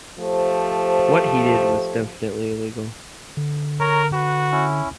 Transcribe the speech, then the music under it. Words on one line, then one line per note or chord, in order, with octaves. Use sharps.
What he did was definitively illegal.
F3 A3 G4 C5
D3
A#4 C#5 A#5
F#4 B4
C#4 E4